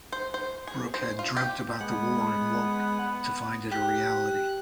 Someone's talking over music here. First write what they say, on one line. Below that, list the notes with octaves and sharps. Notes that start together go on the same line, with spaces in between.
Brooke had dreamt about the war and woke to find it a reality.
C5
C5
G#4
C5
F4
G4
G#3 B3 F#5
G4 F#6